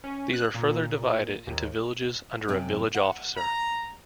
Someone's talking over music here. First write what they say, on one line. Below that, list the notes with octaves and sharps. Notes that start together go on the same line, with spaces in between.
These are further divided into villages, under a Village officer.
C#4
F#6
A#2
D#2
F#2 C3
F#5
A#5